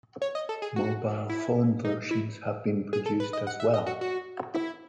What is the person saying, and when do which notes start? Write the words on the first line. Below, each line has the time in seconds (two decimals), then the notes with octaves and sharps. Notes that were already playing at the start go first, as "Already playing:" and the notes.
Mobile Phone versions have been produced as well.
0.22 C#5
0.35 D#5
0.49 A4
0.62 G#4
0.76 F#4
1.29 E4
1.84 D#4
2.11 E4
2.93 G#4
3.06 A4
3.20 B4
3.33 D#5
3.47 F#5
3.60 E5
3.74 D#5
3.86 F#4
4.01 F#4
4.54 E4